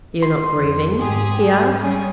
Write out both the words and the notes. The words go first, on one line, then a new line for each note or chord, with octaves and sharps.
"You're not grieving?" he asked.
C6
F2
G#2 G4 G#4
G3 C#4 G#4